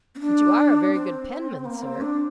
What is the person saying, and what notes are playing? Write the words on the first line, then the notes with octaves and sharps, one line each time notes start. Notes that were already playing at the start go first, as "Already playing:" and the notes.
'But you are a very good penman, sir.
C4
D4
C4
A#3
C4
D4